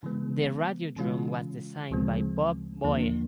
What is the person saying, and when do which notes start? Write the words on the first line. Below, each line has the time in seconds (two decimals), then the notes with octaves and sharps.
The radiodrum was designed by Bob Boie.
0.03 C#3 E3 G#3 B3
0.96 C#3 E3 G#3 C#4 F4
1.90 D2 C#3 F3 G#3 C4
2.84 D#2 D3 F3 A#3 D4